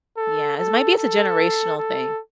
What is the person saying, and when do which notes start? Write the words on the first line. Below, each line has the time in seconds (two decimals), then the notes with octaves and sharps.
yes, maybe it's a generational thing
0.17 A4
0.58 A4
0.98 A4
1.78 A4